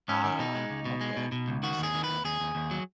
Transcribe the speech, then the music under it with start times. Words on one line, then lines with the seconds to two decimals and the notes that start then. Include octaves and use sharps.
Ah, okay, see what you mean.
0.08 G#2 C#4
0.24 D#3
0.39 B2 D#4
0.55 G#3
0.70 C#2
0.85 B2
1.01 G#3
1.17 B2
1.32 B2
1.48 C#2
1.63 D#3 F#4
1.78 D#2 G#4
1.94 D#3
2.04 B4
2.09 D#2
2.25 D#2 G#4
2.40 D#2
2.55 D#2
2.71 F#3